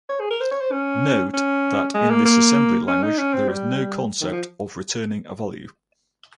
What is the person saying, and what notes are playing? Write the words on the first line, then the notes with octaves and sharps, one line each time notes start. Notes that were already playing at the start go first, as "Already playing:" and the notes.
Note that in this assembly language, there is no concept of returning a value.
C#5
G#4
A#4
C5
C#5
C5
C#4
C#4
G#3
A#3
A#3
C#4
D#4
C#4
C4
G3
D#3
F3